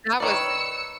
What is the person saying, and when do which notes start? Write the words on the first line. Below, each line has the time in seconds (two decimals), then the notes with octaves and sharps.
That was
0.20 D#3 B4 C#5 D5 E6 C#7